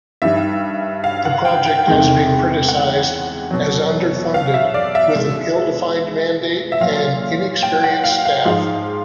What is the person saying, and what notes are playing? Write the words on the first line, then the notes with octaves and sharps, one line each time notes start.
The project has been criticized as underfunded, with an ill-defined mandate and inexperienced staff.
G2 D#3 G3 E5
F5
F#5
G5
G5
E2 C3 D#3 G#3 G5
F#5
B2 F#3
F5
E5
D5
E5
B2 G#3
E5
A#2 F#3 F5
G5
F#5
F5
F5
G#2 F3 G#3